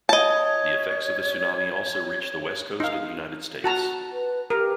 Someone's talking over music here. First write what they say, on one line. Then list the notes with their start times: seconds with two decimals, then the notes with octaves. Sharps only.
The effects of the tsunami also reached the West Coast of the United States.
0.09 C#5 D#5 A5
2.80 D#4 F5
3.64 F#4 A5 A#5
4.12 B4
4.50 G4 A#4